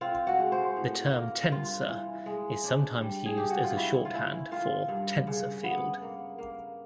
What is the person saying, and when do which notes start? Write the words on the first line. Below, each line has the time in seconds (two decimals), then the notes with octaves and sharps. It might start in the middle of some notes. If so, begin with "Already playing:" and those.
The term "tensor" is sometimes used as a shorthand for "tensor field".
0.01 C4 F4
0.27 F#4
0.39 G#3
0.52 C5
0.76 A2
1.13 A#3 A#4
1.52 G2 F4
1.88 E3
2.26 G#3
2.64 D4
3.02 G3
3.26 G#4
3.37 D4 G4
3.50 F#4
3.64 F4
3.77 E3 E4
4.05 F4
4.13 C#4 E4
4.51 D#3 F4
4.88 G2
5.27 C#3
5.63 B3
6.02 A#3
6.38 A#3